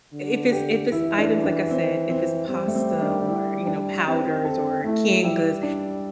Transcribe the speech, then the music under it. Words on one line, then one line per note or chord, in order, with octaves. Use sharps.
if it's if it's items like, I said, if it's pasta or, you know, powders, or canned goods,
D3
G4
E3 E4
D4
D4
C4
C4
G3 C4
A3
C4
D4
E4
D4
C4 G4
A4
A3 E4
G3 E4
D4